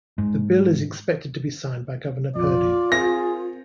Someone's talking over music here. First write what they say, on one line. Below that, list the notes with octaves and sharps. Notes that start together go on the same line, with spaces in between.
The bill is expected to be signed by Governor Perdue.
G#2
A#1 F2 F4 D5
C4 G#4 A#4 A#6